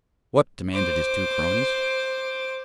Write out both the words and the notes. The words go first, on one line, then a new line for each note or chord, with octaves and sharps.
"What?" demanded his two cronies.
C5 D6